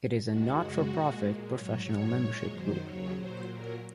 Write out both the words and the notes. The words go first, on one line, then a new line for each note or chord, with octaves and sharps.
It is a not-for-profit professional membership group.
D#2 D#3 G#3 F#4
F#2 C#3 G#3 F#4
A#2 G#3
A#2 G#3
G#2 F#3 C#5
G#2 F#3 C#5
A#2 G#3
F#2 D#3 F#3 C5
D#2 C#3 F#3 C#5
A#2 F#3 C5
A#2 F#3 A#4